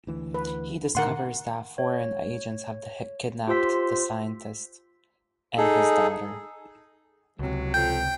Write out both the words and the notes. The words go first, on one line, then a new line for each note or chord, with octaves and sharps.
He discovers that foreign agents have kidnapped the scientist and his daughter.
D2 E3
B4
A2 D3 D#3 A#4 F#5 C6
C#5
F4 G4 C5 C6 E6 B6
D#4 G#4 A4
C#2 C3 F#3
F2 G5 G6